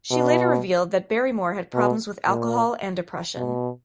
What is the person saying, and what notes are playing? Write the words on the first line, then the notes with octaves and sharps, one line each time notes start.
She later revealed that Barrymore had problems with alcohol and depression.
B2
B2
A#2
B2